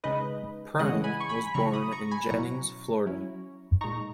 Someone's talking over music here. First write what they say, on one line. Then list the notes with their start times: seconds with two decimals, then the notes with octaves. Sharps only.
Prine was born in Jennings, Florida.
0.04 C#3 G#3 D#4 B4 D#5
0.79 C#3 E3 G#3 C#4 E4 D#5 F#5
1.04 G#5 B5
1.20 C#6
1.29 G#5 B5
1.47 B5
1.54 C#3 F#3 C#4 E4 A#5 C#6
1.73 B5 D#6
1.92 A#5 C#6
2.11 G#5 B5
2.30 B2 F#3 C#4 E4 A#5 C#6
3.06 F#3 C#4 E4
3.81 A#2 G#3 D#4 A#5 C#6